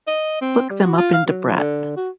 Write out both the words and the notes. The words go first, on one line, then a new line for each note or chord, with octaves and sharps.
Look them up in Debrett.
D#5
C4
G3
F#4
F4
F5
F#3
F3
D3
F#4